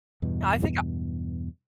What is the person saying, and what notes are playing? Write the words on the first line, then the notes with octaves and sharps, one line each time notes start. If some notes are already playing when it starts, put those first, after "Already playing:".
Yeah, I think I
E2 G2 B2